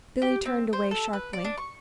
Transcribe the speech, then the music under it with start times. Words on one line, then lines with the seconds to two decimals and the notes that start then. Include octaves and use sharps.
Billy turned away sharply.
0.22 G4
0.45 C4
0.73 C5
0.91 A4
1.13 B4
1.33 D5
1.44 D4
1.58 C#6